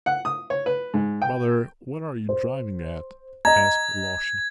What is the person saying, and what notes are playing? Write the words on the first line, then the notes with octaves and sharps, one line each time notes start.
"Brother, what are you driving at?" asked Alyosha.
F#5
D#6
C#5
B4
G#2
G5
C5
D#5 A#5 G#6